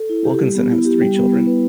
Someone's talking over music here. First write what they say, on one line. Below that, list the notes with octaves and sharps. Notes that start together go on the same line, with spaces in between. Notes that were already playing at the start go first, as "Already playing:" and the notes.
Wilkinson has three children.
Already playing: A4
E4
G4
G3
B3
E4
G4
G3
B3
E4
B4